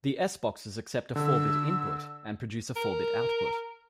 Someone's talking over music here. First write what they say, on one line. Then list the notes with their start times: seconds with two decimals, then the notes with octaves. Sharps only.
The S-boxes accept a four-bit input and produce a four-bit output.
1.16 D3 E6
2.76 A#4